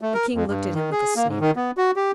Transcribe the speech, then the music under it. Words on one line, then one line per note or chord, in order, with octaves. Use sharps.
The King looked at him with a sneer.
A3
A#4
F2
G2
D#3
G#4
A#3
G#2
D#3
B3
F#4
G4